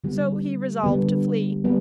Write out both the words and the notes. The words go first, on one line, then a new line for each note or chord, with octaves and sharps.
So he resolved to flee.
D3 G3 B3
D3 G3 B3
G3 B3